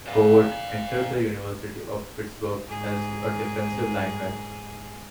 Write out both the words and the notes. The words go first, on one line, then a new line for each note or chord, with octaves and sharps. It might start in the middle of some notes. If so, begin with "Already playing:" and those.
Covert entered the University of Pittsburgh as a defensive lineman.
D5 F5
G#2 G#4